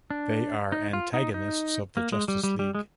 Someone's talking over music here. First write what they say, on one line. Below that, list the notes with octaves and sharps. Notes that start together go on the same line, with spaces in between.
They are antagonists of the Justice League.
D4
D#4
F4
D#4
D#4
A#3
G#3
G3
G3
G3
G#3